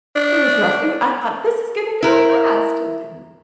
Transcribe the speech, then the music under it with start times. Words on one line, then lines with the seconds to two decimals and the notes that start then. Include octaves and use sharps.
it was rough, it wa I thought, "This is gonna go fast." It didn't.
0.16 D4
2.03 E4 A#4